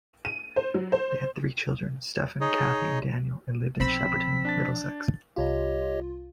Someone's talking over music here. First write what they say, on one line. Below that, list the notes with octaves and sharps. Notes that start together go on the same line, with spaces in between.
They had three children, Stephen, Cathy and Daniel, and lived in Shepperton, Middlesex.
D#7
C5
F#3
C5
D#4 G#4 C#5 D#5
B1 F3 C4 B5 E6 B6
D4 A5 A6
C2 F4 G4 C#5 D#5